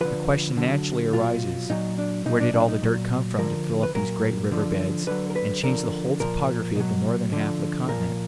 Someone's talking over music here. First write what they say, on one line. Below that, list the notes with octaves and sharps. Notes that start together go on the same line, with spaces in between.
The question naturally arises, Where did all the dirt come from to fill up these great river beds and change the whole topography of the northern half of the continent?
D3 F3 B4
D3 F#3
B2 F#3 F4
A#2 F#3 D#4
D4
B2 F#3 D#4
D4
D4
D#4
A#2 F#3
D3 F3 A#4
B4
A#2 F#3 A#4
D3 F3
D3 F#3 B4
A#4
B4
D3 F3 A#4
A#2 F3 A#4
B2 F#3
D3 F3
A#2 F3 A#4